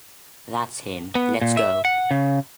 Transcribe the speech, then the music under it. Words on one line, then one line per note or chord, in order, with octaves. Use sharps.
That’s him. Let’s go.
B3
A#2
E5
F#5
C#3